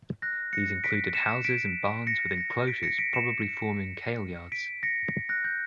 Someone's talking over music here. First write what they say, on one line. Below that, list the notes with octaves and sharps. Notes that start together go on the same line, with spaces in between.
These included houses and barns, with enclosures probably forming kailyards.
F#6 A#6
A#6 C#7
B6 D7
C#7 E7
B6 D7
A#6 C#7
A#6 C#7
B6 D7
A#6 C#7
B6 D7
C#7 E7
B6 D7
A#6 C#7
F#6 A#6
G6